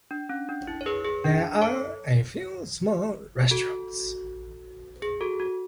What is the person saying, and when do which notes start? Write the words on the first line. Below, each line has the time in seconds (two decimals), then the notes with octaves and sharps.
There are a few small restaurants.
0.11 D4
0.29 C#4
0.49 D4
0.67 E4
0.81 C#5
0.86 G#4 B4
1.05 G#4
1.24 D4
1.62 A4 C#5
3.51 F#4 A4
5.02 G#4
5.21 F#4 A4
5.40 F#4